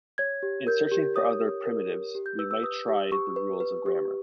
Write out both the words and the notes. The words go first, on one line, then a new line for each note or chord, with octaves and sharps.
In searching for other primitives, we might try the rules of grammar.
C#5 G#6
G4
A#4 G6
G4
C#5 D#6
G4
A#4
G4
G4
G6
B4 E6
E6
B4 D#6
G4
G4 C#6
B4
B4
G4